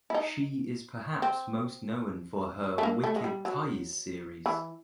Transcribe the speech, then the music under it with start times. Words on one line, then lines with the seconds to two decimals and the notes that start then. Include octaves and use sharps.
She is perhaps most known for her "Wicked Ties" series.
0.10 E4
0.14 D#4
1.22 C4
2.78 A3
2.83 A#3
3.04 A3
3.16 G#3
3.24 G3
3.45 F#3
4.46 E3